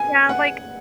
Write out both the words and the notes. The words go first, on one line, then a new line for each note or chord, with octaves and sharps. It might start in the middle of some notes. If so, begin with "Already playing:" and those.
Yeah, like,
Already playing: G#5
F#5